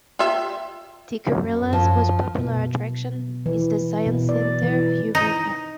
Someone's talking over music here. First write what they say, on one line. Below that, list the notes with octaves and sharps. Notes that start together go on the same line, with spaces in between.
Tikkurila's most popular attraction is the science center Heureka.
F4 G4 E5
F#2
F3
B2
E3
B2
D5
E3
D#4